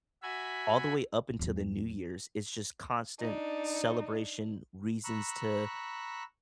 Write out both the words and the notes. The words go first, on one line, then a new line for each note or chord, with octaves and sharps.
all the way up until the New Year's, it's just constant celebration reasons to,
F#4 E5 G#5 B5
E2 F#3
D4 D#4
A#5 B5 C#6 E6 F#6